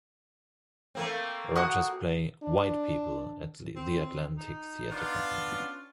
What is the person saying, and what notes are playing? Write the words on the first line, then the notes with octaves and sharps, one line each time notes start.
Roger's play "White People" at the Atlantic Theatre Company.
A3 A#3 C4
F#4 D#6 F#6
D4
C4
D#4
B3 D4 F4
C#4